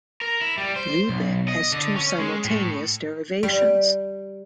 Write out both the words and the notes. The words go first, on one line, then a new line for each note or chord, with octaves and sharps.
"Lyube" has two simultaneous derivations.
A#4
E4
G3
C5
B1
D#5
D3
C#4
G#3
A2
G3